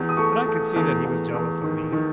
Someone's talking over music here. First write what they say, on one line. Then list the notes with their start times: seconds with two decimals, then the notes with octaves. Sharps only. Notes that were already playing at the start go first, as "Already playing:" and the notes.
But I could see that he was jealous of me.
Already playing: E2
0.09 D#6
0.17 A3 C#6
0.46 A3
0.76 E2
1.05 E2
1.34 E2
1.64 D#3
1.92 D#3